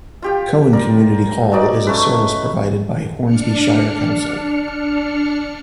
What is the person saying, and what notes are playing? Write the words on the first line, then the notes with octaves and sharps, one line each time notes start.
Cowan Community Hall is a service provided by Hornsby Shire Council.
F4 G4 G5
A#4 D5
F#3 D#4 D5 D6
A3 C#4 B4
D4 F6 C#7